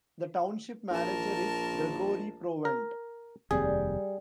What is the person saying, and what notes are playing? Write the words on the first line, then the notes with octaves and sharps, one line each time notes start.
The Township Manager is Gregory Prowant.
A#1 A#4 A5
A#4
F1 D#2 G3 C4 G#4